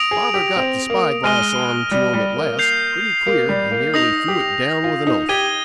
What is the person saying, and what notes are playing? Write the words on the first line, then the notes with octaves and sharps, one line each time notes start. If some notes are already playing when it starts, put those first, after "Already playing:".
Father got the spyglass on to 'em at last, pretty clear, and nearly threw it down with an oath.
Already playing: D#6 A#6 D7 F7
G#4
G4
C4
A#3
G#3 F6 A#6 D#7 G7
G3
G3
A#3
G6 C7 F7
A#3
G3
A#3
D#4 D#6 A#6 F7
G4
F4
D#4
G4 G#6 D#7 G7